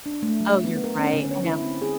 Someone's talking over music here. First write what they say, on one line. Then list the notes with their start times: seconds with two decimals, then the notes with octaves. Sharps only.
Oh, you're right. I know.
0.06 D4
0.23 A3
0.40 F#3
0.64 B3
0.84 A#4
0.98 C#4
1.14 D3
1.31 C#5
1.45 E4
1.61 C4
1.82 G#4